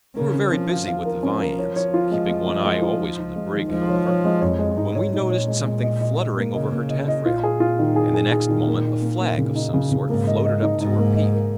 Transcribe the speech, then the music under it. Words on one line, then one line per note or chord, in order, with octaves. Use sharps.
We were very busy with the viands, keeping one eye always on the brig however, when we noticed something fluttering over her taffrail; and the next moment a flag of some sort floated up to her peak.
C#3 A#4
C#4
F3 C#4
F5
F3 F5
A#4
C#4
A#4
C#5
C#5
F4
G#3
G#3
G#3
G#3
F4
D#4
D#4
G#3
D#3
F3 G#3
C#5
C#5
G#3
F2 C#5
G#3
G#2 D#4
C#5
A#2 D#4
C#5
G#3
G#3
D#5
D#5
D#5
A#3
C#3 D#5
A#3
D#5
D#5
A#2 F4
G#4
F4
D#3
G#4
G#4
G#4
D#3
A#3
D#4
A#3
A#3
C#3
D#4
C#3
C#3
G#2 A#3
D#5
D#5
D#4
G#2 D#4
A#3
D#5
A#4